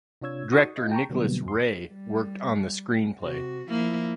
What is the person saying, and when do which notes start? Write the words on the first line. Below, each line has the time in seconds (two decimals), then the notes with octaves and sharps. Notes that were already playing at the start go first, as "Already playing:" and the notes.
Director Nicholas Ray worked on the screenplay.
0.21 C3 D4 F4 C#5 E6 G#6
0.52 D#4 F#4 F#5 C#6 D#6
0.77 F4 D#5
0.92 G5 A5 A#5 C#6
1.09 B2 D3 F#3 G3 A#3 B3
1.46 F2 C6
1.92 G3
3.22 C3 F#4
3.69 F3 A#3 E4